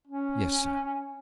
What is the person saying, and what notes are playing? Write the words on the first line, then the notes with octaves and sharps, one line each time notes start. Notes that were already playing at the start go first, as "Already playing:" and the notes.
"Yes, sir."
C#4